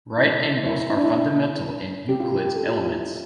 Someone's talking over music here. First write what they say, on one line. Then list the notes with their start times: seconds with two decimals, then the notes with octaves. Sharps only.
Right angles are fundamental in Euclid's Elements.
0.18 E4
0.42 E4
0.66 E4
0.90 E4
0.97 D4
1.03 E4
2.09 G4
2.20 F4
2.32 G4
2.45 G4
2.56 A4
2.68 F4
2.81 F4
2.93 E4